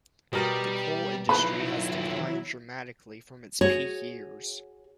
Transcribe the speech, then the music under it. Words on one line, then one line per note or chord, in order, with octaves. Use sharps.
The coal industry has declined dramatically from its peak years.
B2 G3 A#4 G5
D#3 F3 F#3 E4 B4 B5
F#4 G#4 C#5